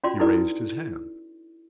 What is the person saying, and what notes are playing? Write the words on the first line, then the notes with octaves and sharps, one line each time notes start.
He raised his hand.
C#4 F4 F#4 D5 C6
D#4 E4 A4 B4 D5